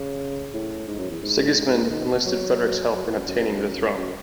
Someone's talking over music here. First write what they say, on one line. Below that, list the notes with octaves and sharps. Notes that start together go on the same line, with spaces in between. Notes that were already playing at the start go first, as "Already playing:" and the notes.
Sigismund enlisted Frederick's help in obtaining the throne.
Already playing: C#3
A2
G#2
F#2
E2
G#2
D#3
F#3
F#3
A2
F#2
F#2
F#2